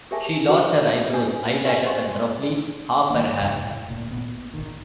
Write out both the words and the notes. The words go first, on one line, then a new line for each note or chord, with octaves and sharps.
She lost her eyebrows, eyelashes and roughly half her hair.
G4 G#4 A#4 E5 G#5 A5
F#4 G#4 B4 C5
D4 G#5
G4 B4 D5 E5 F#5 G#5
C5 D#5 F#5 C6 C#6
D#3 A#3
F2 C#3
A2
D1 D2 A#2
G#1 F2 A#2 B3
G#1 D#3